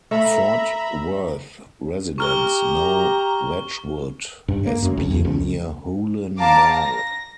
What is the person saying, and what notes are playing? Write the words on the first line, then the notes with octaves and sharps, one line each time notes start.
Fort Worth residents know Wedgwood as "being near Hulen Mall".
A3 E5 F5 A#5 B5
G4 A#5 C#6 F6 G7
G2
A#3
F#2
C#2
E2
C#2
F5 A5 A#5 D6
A#6